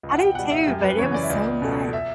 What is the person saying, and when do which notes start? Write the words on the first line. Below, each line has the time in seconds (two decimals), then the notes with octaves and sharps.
I do too, but it was so much.
0.03 C#2
0.12 F#5
0.20 G5
0.35 B2 G3 F#5
0.51 E5
0.67 F#2 G4
0.82 B4
0.98 C#3 E3 C#5
1.14 D5
1.23 E5
1.29 C#2 D5
1.62 B2 A3
1.93 E5